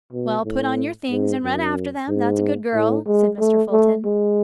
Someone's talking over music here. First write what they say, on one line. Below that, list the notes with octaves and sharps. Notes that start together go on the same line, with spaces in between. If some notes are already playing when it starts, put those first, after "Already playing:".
"Well, put on your things and run after them, that's a good girl," said Mr. Fulton.
B2
A2
G#2
F#2
G#2
A2
G#3
A3
A3
G#3